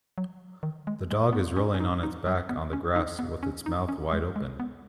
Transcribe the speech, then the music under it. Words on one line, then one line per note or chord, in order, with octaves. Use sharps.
The dog is rolling on its back on the grass with its mouth wide open.
F#3
D#3
G#3
G#3
B3
C#4
C#4
D#4
D#4
F#3
B3
C#4
D#4
B3
C#4
D#4
C#4
G#3
G#3
B3